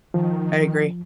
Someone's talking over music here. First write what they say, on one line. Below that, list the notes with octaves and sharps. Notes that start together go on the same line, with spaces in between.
I agree.
D#3 F3